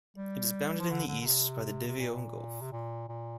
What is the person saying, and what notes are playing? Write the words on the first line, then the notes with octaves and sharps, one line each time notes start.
It is bounded in the east by the Davao Gulf.
G3
F3
D3
D3
D3
C3
C3
A#2
C3
A#2
A#2